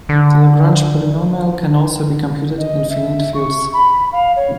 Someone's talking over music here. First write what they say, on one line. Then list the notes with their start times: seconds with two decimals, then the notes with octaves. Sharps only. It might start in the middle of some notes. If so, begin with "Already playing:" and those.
The Lagrange polynomial can also be computed in finite fields.
0.09 D3
2.58 D#5
2.90 E5
3.34 C#6
3.73 B5
4.12 F5
4.36 C#5